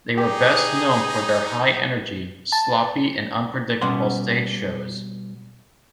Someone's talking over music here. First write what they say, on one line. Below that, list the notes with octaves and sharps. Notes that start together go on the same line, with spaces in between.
They were best known for their high energy, sloppy and unpredictable stage shows.
D#4 G4 G#4
A5
B2 G3 B3 C#4 F#5 C6